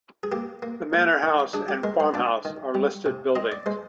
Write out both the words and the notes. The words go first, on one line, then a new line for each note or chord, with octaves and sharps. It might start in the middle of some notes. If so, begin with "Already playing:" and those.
The Manor House and farm house are listed buildings.
G#4
A#3 G4
A#3
A#3
D#3
D4 G#4
G4
G#3 A#4
C5
D4 D5
D#3
G3
C3
C4 D#5
D5
G#3 C5